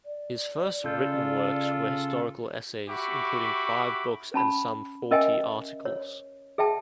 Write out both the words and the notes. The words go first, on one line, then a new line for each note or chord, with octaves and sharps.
His first written works were historical essays, including five books and some forty articles.
D5
C#3 F4 A4 G6
F#4 G4 E5 B5 C#6 D6
C#4 A5 B5
C#4 A#4 D#5 E5 G5 G#5
C#5
G#4 E5 G5 A5